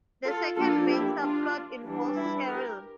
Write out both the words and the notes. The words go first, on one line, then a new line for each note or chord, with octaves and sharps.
The second main subplot involves Cheryl.
F4 A4
F3 A#3 D4 F4 A4
E4 G4
D4 F4
E3 G3 D4
E4
G4 A#4